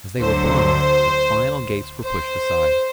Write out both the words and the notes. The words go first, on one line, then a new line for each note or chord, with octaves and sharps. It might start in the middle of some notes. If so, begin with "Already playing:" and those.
As they were blown, the final gates were pushed aside.
D2 D3 F#3 C5
C5